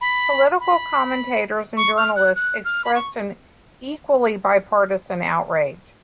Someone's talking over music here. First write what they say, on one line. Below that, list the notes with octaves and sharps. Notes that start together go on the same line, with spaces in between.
Political commentators and journalists expressed an equally bipartisan outrage.
B5
B5
C#6
F6
F#6
F#6
F6
B5
C#6